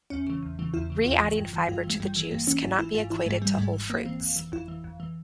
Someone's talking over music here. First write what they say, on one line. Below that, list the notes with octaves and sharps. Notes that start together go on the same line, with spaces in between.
Re-adding fiber to the juice cannot be equated to whole fruits.
E2 C#4
C#3 E3
E2
C#3 E3
E2 E4
C#3 E3
E2 F4
C#3 E3
G2
E3
G2 F4
E3
G#3
G2 G3
E3 G#3
G2 A#3
E3 C#4
G#2 E4
E3 E4
G#2 F4
E3 E4
G#2 G#3
E3 G3
G#2 G#3
E3
F2 A#3
E3 C4
F2
E3
F2 E4
E3
F2
E3